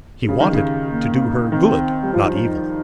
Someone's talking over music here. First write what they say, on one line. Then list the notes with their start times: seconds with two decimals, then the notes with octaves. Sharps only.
He wanted to do her good, not evil.
0.23 G#4
0.29 C#3 G4
0.40 D#3
0.53 C#3
0.90 A#3
1.52 D#3 C4
2.03 G3
2.14 F3 F4
2.23 D#4
2.32 C#4
2.42 D#4